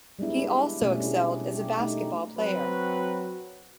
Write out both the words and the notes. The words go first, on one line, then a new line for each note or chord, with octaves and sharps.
He also excelled as a basketball player.
G3 G#3 B3 D4 E4
B2 G3 A3 C#4
D4 E4 G#4
G4 G#4
A3 D#4
F#3 C4 F#4 B4